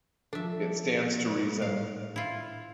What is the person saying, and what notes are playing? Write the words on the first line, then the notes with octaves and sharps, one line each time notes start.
It stands to reason.
F3 D4 A4 E5
A2 F5
E4 F4